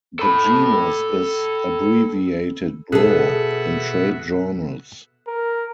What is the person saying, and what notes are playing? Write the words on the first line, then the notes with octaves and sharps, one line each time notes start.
The genus is abbreviated Bro in trade journals.
A4 B5
B2 G#4 A4 E5 F#5
A#4